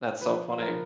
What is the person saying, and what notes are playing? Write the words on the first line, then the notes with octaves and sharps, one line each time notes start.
that's so funny.
F3 B4
F3 A#4